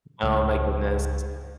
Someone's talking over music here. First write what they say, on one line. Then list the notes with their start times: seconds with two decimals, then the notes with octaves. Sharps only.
Oh my goodness.
0.23 C#2